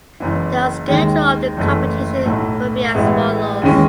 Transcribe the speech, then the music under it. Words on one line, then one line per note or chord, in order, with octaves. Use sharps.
The schedule of the competition will be as follows.
F#1 F#2 E3
D#2 D#3 G#3
F#1 F#2 E3 A3
B1 A2 F#3 A3
A1 A2 G#3 B3 E4
D#2 C#3 E3 G#3 C#4